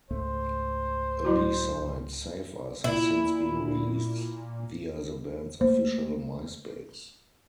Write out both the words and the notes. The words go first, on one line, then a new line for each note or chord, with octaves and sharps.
A B-side, "Save Us", has since been released via the band's official Myspace.
C#2 G#2 A3 C5
F#3 E4 F#4
A#2 E4
A3 A#3 C5